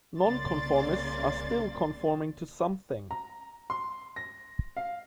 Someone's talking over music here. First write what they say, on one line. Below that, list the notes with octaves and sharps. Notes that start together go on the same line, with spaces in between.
Non-conformists are still conforming to something.
C2 C#3 A#3 D5 C6 A6
A#5
C6
A#6
F5